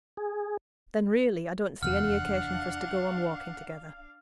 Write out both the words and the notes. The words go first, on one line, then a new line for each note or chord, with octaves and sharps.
'Then, really, I don't see any occasion for us to go on walking together.
G#4
F1 E2 D4 F5 F#5 F6